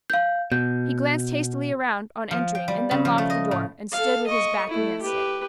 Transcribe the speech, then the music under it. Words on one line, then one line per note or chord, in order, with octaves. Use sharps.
He glanced hastily around on entering and then locked the door and stood with his back against it.
F5 G6
B2 G6
F3
G5
G3
C#3
F3
A3
D#5
A2
A4 F5
D#5 C#6
A3 E4
G4 B4